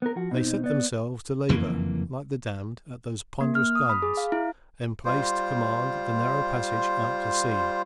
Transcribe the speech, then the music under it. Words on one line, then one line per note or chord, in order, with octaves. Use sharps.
They set themselves to labour like the damned at those ponderous guns emplaced to command the narrow passage out to sea.
B3 A#4
F3 F#4
B2 C4 D#4
B3 D5
F#1 F2 E3 A#3
A#3
F6
D#6
B5
G#4
F5
E4
G3 F4 C5